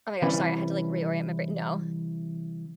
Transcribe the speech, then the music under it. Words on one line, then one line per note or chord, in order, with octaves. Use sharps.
Oh, my gosh, sorry. I had to, like, reorient my br No.
C3 E3 G3 C#4 B4